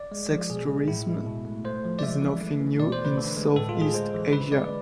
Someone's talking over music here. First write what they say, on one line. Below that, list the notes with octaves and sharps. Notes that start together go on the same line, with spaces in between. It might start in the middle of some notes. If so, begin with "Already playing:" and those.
Sex tourism is nothing new in Southeast Asia.
Already playing: D5
G#3
F3
B2 G#4
G#3
A2 E4
G#3
B2
A3
A3 C5
F3
D5
G#3 E5
E3
A3
E3
B2 D5
C5
A3
B4
D3
G#3
A2 A4
F4
G#3
G#4
G#3 C5
E3
D3 B4
G#3 D5